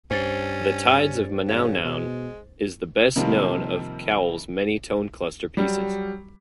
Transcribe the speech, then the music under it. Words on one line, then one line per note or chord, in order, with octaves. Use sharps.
"The Tides of Manaunaun" is the best known of Cowell's many tone cluster pieces.
G2 C#4 C5 A6
G#1 C#3
B2 G#3
C3 D#3 F3 G3 A#3
F#3 G3